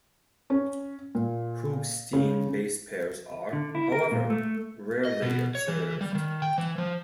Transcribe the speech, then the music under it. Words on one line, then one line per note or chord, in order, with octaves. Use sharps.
Hoogsteen base pairs are, however, rarely observed.
C#4
A#2
C#3
D3
E4
A#4
A#2
A3
D#5
B2
C#5
E3
G3
D#3
G5
E3
F3